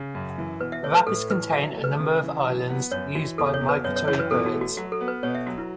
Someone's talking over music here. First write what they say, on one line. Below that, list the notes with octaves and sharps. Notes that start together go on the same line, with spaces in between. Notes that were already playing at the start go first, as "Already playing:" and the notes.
The rapids contain a number of islands used by migratory birds.
Already playing: C#3
F#2
E3
B2 B4
E5
A3 C#5
B4
A2 A4
E3 B4
F#3 E5
A3
B4
C#3
E3
F#3
B3
F#2 C#5
E3 F#4
E2 A4
C#5
B2
B4
F#2 C#5
C#5
E3 C#5
B4
B2 A4
F#4
A3
F#4
F#3 F#4
A4
B3
B4
B2 C#5
E5
F#3 F#4
E4